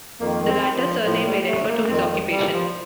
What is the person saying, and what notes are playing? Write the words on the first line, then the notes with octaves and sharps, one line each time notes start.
The latter surname may refer to his occupation.
F2 D#3 A#3
C4
F3
A2 F3
G3
A3
A#3
F2 D#3 C4
G3
F3